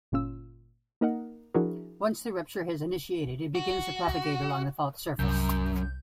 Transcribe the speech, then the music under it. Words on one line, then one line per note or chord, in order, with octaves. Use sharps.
Once the rupture has initiated, it begins to propagate along the fault surface.
G1 A#2 C#4 F4 E6
A#3 D#4 A#4 D#5 F#5
F3 D4 E4 F#4 G#4 A#4
F#4
C2 F#2 G6